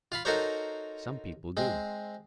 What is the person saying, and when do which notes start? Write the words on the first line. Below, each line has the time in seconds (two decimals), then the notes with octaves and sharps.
Some people do.
0.12 F4 F5 B5
0.25 D#4 F#4 A4 A#4 C5 C#5
1.57 G#3 C4